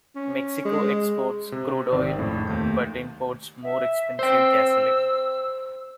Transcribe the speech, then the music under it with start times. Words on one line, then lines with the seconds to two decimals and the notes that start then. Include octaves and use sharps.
Mexico exports crude oil, but imports more expensive gasoline.
0.16 C#4
0.65 G#3
1.52 C3
1.92 G#1 D#3 C4 D5
2.19 F2 A2 C#3
2.47 D#2 A3 G6
3.63 E5
4.19 C5 G5 E6